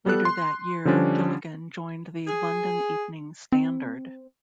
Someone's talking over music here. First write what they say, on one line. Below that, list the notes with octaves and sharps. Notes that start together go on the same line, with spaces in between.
Later that year Gilligan joined the "London Evening Standard".
G3 B3 A4 F#6
C6
D3 F3 G3 C#4 D4
G#4
C4